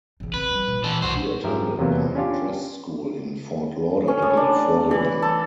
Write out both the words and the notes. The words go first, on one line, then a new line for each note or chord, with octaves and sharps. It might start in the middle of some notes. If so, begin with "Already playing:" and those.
He attended Pine Crest School in Fort Lauderdale, Florida.
A1 C#3
C4 B4
G3 A3
A#2
E3 A4
B1 B2 F#4 C5
G#2 F3 G4 A#4 E5
E2 C3 F#3 A#3 B3
C#4 D4 F4 G4
C#4
A2
D4
E3
A4